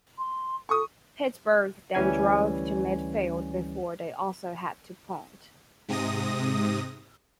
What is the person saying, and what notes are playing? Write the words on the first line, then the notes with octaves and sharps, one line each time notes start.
Pittsburgh then drove to midfield before they also had to punt.
C6
A4 C#6 D#6
D2 E3 G3 C#4 G#5 G#6
G#2 C3 D#6 A#6